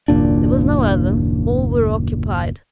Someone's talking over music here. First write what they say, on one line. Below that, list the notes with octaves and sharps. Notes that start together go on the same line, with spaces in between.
There was no other, all were occupied.
F#1 D#2 A#2 D4